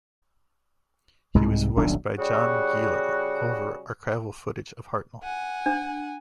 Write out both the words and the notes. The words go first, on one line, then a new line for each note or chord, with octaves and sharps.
He was voiced by John Guilor, over archival footage of Hartnell.
C2 G#2 C3 G#3
D#1 B1 A2 D4
C#3 G3 F#4
F#5 G#5
D4